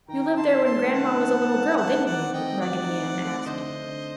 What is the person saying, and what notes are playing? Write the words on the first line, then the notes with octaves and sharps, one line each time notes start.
"You lived there when Gran'ma was a little girl, didn't you?" Raggedy Ann asked.
D#3 G5 A#5
D#4
A5 C6
C4
A5 C6
A3
D#3 F#5 A5
D#4
C4
A3
D#3 F#5 A5
D#4
D5 F#5
C4
D#5 G5
A3
D#3 D5 F#5
D#4
C4
A3
D3 C5 D#5
D3
D4